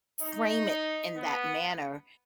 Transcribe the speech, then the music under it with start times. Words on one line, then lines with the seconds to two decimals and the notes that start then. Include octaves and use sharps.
frame it in that manner,
0.22 D#4
1.16 B3